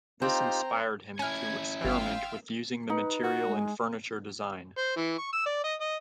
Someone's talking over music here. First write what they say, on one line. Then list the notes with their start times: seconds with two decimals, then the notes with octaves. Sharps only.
This inspired him to experiment with using the material in furniture design.
0.22 C4 D#4 F4 G4 A#5 C6
1.19 C#4 E4 G#5 F6 G#6
1.81 G1 E3 F4 E5 F5 G5
2.90 D#4 B4
3.23 F#4
3.45 G#3
4.78 C5
4.96 E3
5.18 C#6
5.33 E6
5.46 D5
5.63 D#5
5.80 D#5